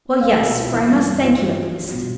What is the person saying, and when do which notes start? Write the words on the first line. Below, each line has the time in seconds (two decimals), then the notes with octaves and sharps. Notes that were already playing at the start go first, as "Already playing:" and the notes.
"Well, yes! for I must thank you at least."
0.21 A3 F5
0.35 A4
0.39 B2
0.47 F4
0.56 B2 E4
0.72 E3 E4
0.90 G2
1.07 G2
1.24 E3 F4
1.41 G2
1.58 D4
1.76 G3
1.92 B2